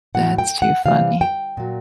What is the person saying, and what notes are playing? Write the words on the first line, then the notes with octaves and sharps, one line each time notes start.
That's too funny.
A2 F#3 F#5
G5
F#5
C3 E3 G3 F5
G5
A#2 F#3